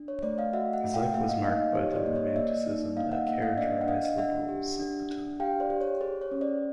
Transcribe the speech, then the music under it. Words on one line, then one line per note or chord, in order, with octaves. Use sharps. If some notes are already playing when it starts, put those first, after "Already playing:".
His life was marked by the romanticism that characterized liberals of the time.
Already playing: D4
C#5
A3 C5 D5
D#5 F5
F#4 E5 F#5
E5 F#5
A3
F5 G5
A#3 E5 F#5
D#5 F5
D#4 D#5 F5
G4 C#5 D#5
D#5
C5 D5
A#3
C#5 D#5
A#3 D5 E5
D#4
A#3 D#5 F5
E5 F#5
A#3 E5 F#5
D#5 F5
D4 D5 E5
F#5
D4 D#5 F5
D4 E5 F#5
G4
D4
D4
G4 F5 G5
C5 D5
G4
C#5
G#4 C5
C#5
C#4
C5 D5